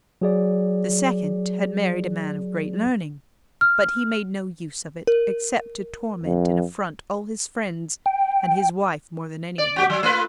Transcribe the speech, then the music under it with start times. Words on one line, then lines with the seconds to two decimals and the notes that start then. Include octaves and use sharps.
The second had married a man of great learning; but he made no use of it, except to torment and affront all his friends, and his wife more than any of them.
0.22 F#3 G#4 D5
3.61 F6
5.07 A#4
6.24 F2
8.06 G5
9.58 D5
9.76 F#4 G4
9.90 F#3
10.03 A3 F4 B4